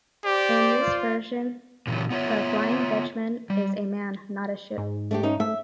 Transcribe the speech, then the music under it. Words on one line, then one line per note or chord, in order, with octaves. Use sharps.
In this version, the Flying Dutchman is a man, not a ship.
G4 C5 D5
F4
A#2 C#3 E3 F#3
B3 F4 C#5 E5
G3
G#2
A3 D4 G4
C#4 D#4
A3 E5